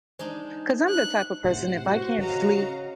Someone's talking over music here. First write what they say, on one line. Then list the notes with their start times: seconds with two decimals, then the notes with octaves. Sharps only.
'cause I'm the type of person, if I can't sleep
0.19 G#3 D4 D#4 C5
0.89 F#6
1.44 A2 C3 C5 F#5
1.84 F#4
2.19 C#3 D#5 F5 A#5